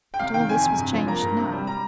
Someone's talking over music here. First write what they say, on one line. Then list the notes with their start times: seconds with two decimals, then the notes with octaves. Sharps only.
But all this was changed now.
0.14 G5
0.19 C3 F5
0.34 D#3 G5
0.49 F2 G#5
0.63 C3
0.78 G2
0.93 F3
1.07 A#3 A#5
1.22 G2
1.38 C3
1.52 G3
1.67 G3 A#5